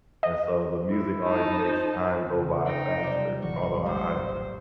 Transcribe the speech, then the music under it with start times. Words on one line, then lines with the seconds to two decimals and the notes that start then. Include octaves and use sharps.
and so, the music always makes time go by faster, although I
0.23 D#5
0.89 E4
1.22 D#4 A5
1.62 C5
2.27 D2 C#3
2.66 D#4 G5
3.03 F#2 C3 G3 D4 C5
3.42 A1 E3 F#3 F#4 C#6
3.86 A#1 G2 D#3 G#3 C5
4.17 F1 A#1 A2